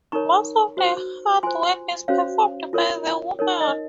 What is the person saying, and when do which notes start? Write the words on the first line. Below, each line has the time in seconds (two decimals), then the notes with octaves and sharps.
Most of the hard work is performed by the women.
0.12 D#4 A#4 C#5 A#5 C#6
0.77 F#4 C5
1.43 F4 C5 G#5 C6
2.08 C#4 F#4 C5 C#5 F5
2.73 F4 A#4 C#5
3.39 D#4 A#4 C#5
3.61 D#5